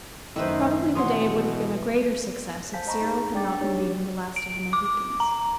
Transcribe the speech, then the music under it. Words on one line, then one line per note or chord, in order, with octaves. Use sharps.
Probably the day would have been a greater success if Cyril had not been reading The Last of the Mohicans.
F#2 A2 D#3 D#4 E4 B4 C5
B2 E3 B3 C#5 F#5 C6 D#6
C5 F5 G#5 A5 G6 B6
D#5 A#5 B5 C#6
D#4 G#4
D4 D5 G5 D6 A6
D4 D#4 G4 C#5 D5
D7
D6
A#5